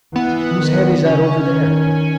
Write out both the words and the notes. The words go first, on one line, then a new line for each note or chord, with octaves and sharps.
"Whose head is that over there?"
E3 B3
D#3
C#3 C#4
D#3